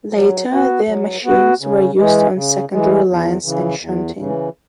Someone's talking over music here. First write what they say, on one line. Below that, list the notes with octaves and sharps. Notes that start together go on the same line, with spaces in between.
Later the machines were used on secondary lines and shunting.
F#3
B3 F#4
F#3
B3 F#4
C#3
E3 G#3
C#3
E3 G#3
E2
C#3 E3
E2
C#3 E3